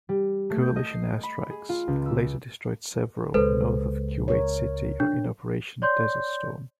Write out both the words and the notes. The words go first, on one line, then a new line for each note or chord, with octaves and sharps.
Coalition air strikes later destroyed several north of Kuwait City in Operation Desert Storm.
G3
A3
G6
D#5
C7
B5
G#4
F4
C#2
E6
C#2 G#3 A4 B4 C5
A#4 C#5
D4
C#5 D5 C6 G6